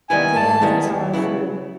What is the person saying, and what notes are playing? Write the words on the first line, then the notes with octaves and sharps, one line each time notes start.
Yeah, that's how I feel.
D#3 G3 B3 E4 G#5
G#2 A5
D#3 G3 B3 E4
D#2
C#3 F#3 B3 E4